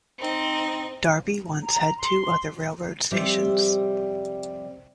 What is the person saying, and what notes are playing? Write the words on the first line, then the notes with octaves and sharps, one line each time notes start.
Darby once had two other railroad stations.
C4 D#4
A#5
A#5
C6
F2 C3 G3 C5 E5